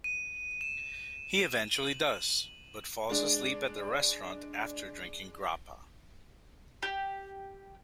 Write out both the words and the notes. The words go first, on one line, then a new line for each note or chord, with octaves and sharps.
He eventually does, but falls asleep at the restaurant after drinking grappa.
D#7
E7
F#7
G#3 D4
G4